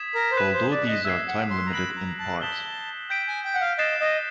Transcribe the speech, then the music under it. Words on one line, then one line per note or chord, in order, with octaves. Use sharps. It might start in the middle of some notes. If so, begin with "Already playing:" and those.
Although these are time limited in part.
Already playing: D#6 G#6 B6 E7
A#4
C5
B4 F#6 B6 E7
C5
D5
D#5
E5 E6 G#6 C7
F#5
C6
A#5
B5 F#6 A#6 D7 F#7
A#5
A5
A5 D#6 G6 B6 E7 G7
G5 G6 B6 D7
G#5
G5
F#5
F5
D#5 F#6 A6 C7 E7
D#5